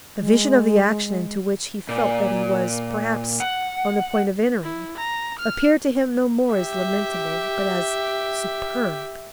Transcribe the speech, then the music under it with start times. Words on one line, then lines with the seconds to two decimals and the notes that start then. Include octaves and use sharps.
The vision of the action into which he felt that he was, perhaps, on the point of entering, appeared to him no more as lamentable, but as superb.
0.19 G#3
1.89 A#2
3.40 F#5
4.63 E4
4.98 A#5
5.39 F6
6.53 G4 E5